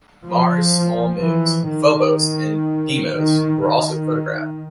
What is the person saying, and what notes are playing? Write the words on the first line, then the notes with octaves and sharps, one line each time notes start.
Mars' small moons, Phobos and Deimos, were also photographed.
F3
E3
D#3
D#3
D#3